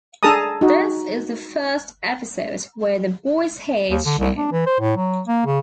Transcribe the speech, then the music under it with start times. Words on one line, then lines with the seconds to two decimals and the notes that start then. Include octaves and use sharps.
This is the first episode where the boy's hair is shown.
0.23 D4 G#4 A4 A5 A#5 D#6
0.61 D#4 F#4
3.90 D#2
4.06 D3
4.18 C2
4.37 D4
4.52 E3
4.67 C5
4.80 A2
4.97 F#3
5.27 A#3
5.46 C#3